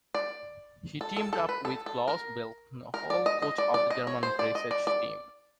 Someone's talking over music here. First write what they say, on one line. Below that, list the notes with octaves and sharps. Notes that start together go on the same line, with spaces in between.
She teamed up with Klaus Balkenhol, coach of the German dressage team.
D5
A4
A4
A4
B4
A4
A4
A#4
A#4
D5
D#5
D#5
D5
D5
D#5
C#5
C5
D5
D#5
D5
D5